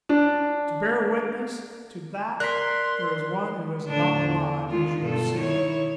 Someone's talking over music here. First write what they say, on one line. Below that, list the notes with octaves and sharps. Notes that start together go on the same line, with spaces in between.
To bear witness to that there is one who is not alive, as you have seen.
D4
A#4 D5 C6 F#6 B6
A2 D3 D4
E2
D#3 G#3 F4
G2 B2 A4
D#3 E4 C#5